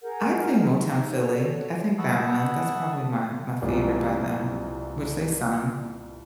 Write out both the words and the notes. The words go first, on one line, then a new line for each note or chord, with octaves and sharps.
I think Motown Philly. I think that one. That's probably my my favorite by them, which they sung.
G#4 A#4 F#5 G6
D#4
F#4 A4 C#5 D5
F#5 A5 B5 C#6 D#6 E6
C2 G2 C3 F3 G#3